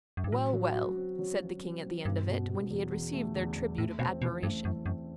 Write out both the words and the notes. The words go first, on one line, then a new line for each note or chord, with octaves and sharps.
"Well, well," said the King at the end of it, when he had received their tribute of admiration.
F#2
G2
A2 F#3
F#3
F#4
C4
F#3
F#3
C4
C4
G2 B2
B2
B2
E2
E2
A3
E2
E2
A2 A3
B2 C4
B2 E3
G2 A3
F#2 E3
F#2 C4